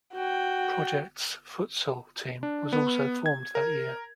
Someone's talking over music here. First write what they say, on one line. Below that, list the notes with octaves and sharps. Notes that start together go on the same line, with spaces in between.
Project's futsal team, was also formed that year.
F#4 G5
D4
B3
G#6
A#4